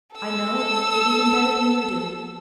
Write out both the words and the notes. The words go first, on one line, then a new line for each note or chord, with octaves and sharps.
I know it even better than you do.
A4 E6